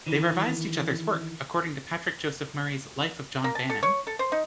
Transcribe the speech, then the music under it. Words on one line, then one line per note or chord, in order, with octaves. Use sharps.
They revised each other's work; according to Patrick Joseph Murray's "Life of John Banim".
D#3 E3
A#3
A5
A4
C#5
A4
C5
D#4